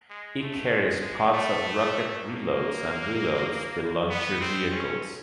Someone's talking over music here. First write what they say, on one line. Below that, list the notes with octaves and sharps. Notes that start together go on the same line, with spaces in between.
It carries pods of rocket reloads and reloads the launcher vehicles.
G#3
A3
G#3
G#3
A3
A#3
B3
C4
C#4